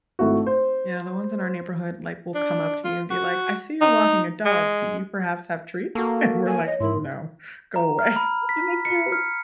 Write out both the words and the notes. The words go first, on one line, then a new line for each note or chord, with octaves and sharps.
Yeah, the ones in our neighborhood, like, will come up to you and be like, "I see you're walking a dog. Do you perhaps have treats?" And we're like, "No, go away," and they do.
G#1 A3 E4 F#4
C5
D4
F4
F#4
D#4
G#3
A#3 F#4 A4 C#6
G#5
C#5 D#5
G#2 D#4 E4 A#4 C6
A#5
F6
B5
B6
C#7
F6